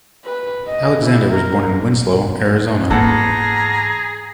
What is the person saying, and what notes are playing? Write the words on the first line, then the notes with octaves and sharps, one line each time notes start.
Alexander was born in Winslow, Arizona.
B4
D#5
E4
A#4
E2 G#2 A#3 G#4 A4 F#5 A#5